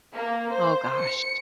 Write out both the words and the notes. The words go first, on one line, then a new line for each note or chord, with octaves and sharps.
Oh, gosh.
A#3
C5
C#7